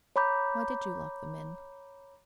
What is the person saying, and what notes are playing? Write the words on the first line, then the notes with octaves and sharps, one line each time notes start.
Why did you lock them in?
C#5 A#5 B5 D6 G6